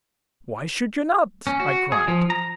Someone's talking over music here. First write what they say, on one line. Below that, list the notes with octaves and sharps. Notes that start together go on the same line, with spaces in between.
"Why should you not?" I cried.
C#4
F#4
G#4
F3
A#5